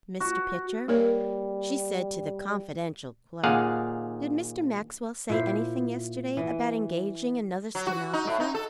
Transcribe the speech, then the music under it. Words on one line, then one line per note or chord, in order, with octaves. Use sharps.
"Mr. Pitcher," she said to the confidential clerk, "did Mr. Maxwell say anything yesterday about engaging another stenographer?"
F#4
G3 A#3 A#4 C#5
D#2 A#2 G#4 F5 F#5
A#2 E4 C5
E3
F#3
F#4
D#4
A2
D#4
A4